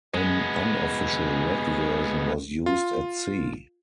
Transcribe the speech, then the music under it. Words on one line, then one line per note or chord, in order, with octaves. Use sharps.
An unofficial red version was used at sea.
G#3 B3
F4